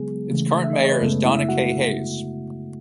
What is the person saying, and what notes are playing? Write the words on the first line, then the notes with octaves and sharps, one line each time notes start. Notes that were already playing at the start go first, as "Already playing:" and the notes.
Its current mayor is Donna K. Hayes.
Already playing: C#3 F#3 G#3 B3 G#4
C#3 E3 A3
E5
D#5
C#5
B4
F#2 C#3 G#3 A3 B3 A4
E4 E5
E5
F#4 F#5